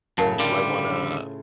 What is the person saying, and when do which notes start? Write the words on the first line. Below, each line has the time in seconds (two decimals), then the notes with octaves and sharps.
"Do I wanna
0.18 F#2 A2 C#3 A#4 F5 A5
0.39 D3 G3 F4